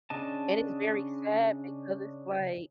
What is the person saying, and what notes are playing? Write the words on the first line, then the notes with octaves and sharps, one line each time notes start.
And it's very sad because it's, like
C#3 D4 D#5 A5